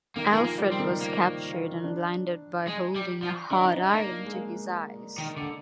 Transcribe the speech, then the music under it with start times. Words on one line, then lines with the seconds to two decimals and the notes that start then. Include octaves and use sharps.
Alfred was captured and blinded by holding a hot iron to his eyes.
0.16 D#3 A#3
0.33 D#3 G#3
0.37 F3
0.44 A#3
0.58 G3
0.72 C4
0.80 D#3
1.01 A#3
1.84 D4
2.67 G#3
2.96 G3
3.23 F3
3.51 D#3 D4
3.64 D#4
3.77 D4
3.93 A#3
4.25 G#3
4.35 A#3
5.18 D#3
5.37 D3